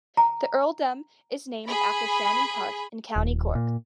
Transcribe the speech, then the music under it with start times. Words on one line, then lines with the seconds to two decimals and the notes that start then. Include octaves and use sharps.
The earldom is named after Shannon Park in County Cork.
0.17 A#5
1.67 G#4 B5
3.16 D#1
3.55 A#2